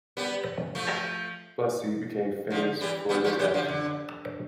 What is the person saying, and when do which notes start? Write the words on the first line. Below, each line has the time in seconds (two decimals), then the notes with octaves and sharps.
Bussy became famous for this action.
0.17 G3 B3
0.75 F3 A3
2.50 D3 F3
2.81 E3 G3
3.09 G3 B3
3.24 F3 A3
3.39 E3 G3
3.54 D3 F3
3.69 D3